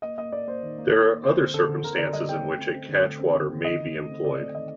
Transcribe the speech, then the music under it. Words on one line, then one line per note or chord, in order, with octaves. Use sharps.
There are other circumstances in which a catchwater may be employed.
A#3 D#5
A#3 D#5
A#3 D5
A#3 C5
D#3
A#3
A#3
A#3
C4 C5
D3
D3 A4
D3
D3 A#4
D3 D5
G3 D#5
C4 G5
A3
C4
C4
D3
A3
C4
D3
D3
D#3 D#5
D#3
A3
C4
C4 D5
A3
D#3 D#5